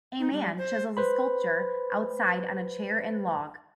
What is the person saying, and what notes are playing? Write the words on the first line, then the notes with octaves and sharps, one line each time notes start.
A man chisels a sculpture outside on a chair and log.
D#4
G3
C5
B4 C5 B5